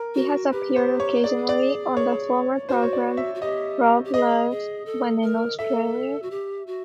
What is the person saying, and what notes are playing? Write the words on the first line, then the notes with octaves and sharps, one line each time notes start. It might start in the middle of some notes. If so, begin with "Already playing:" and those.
He has appeared occasionally on the former program "Rove Live" when in Australia.
Already playing: A#4
F#4
G4 B4
C5
C#5
G#4 D5
D5
C#5
F#4 C5
C#5
D5
E5
F#4
G4 D#5
G4
G#4 D#5
G#4
A4
A#4
A4 E5
F#4
G4
F#4